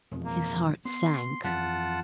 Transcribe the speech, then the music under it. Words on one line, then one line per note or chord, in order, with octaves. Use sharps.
His heart sank.
E1 F2
A#3
B3 C6
F2 E3 F4 F#5 A5